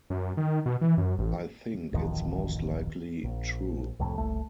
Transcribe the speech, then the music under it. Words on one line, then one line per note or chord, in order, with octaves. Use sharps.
I think it's most likely true.
F#2
D#3
B2
E3
F#2
A1
D1 A1 F2 D#3
A#1
C2 F2 A2
F#1 C2 A3